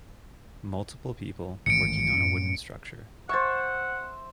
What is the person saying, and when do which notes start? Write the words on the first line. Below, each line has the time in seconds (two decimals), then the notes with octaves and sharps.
Multiple people working on a wooden structure.
1.66 A1 G#2 D#3 C#7 D7
2.17 F#2 A2 F#3
3.29 C5 E5 F#5 C#6 G#6 A6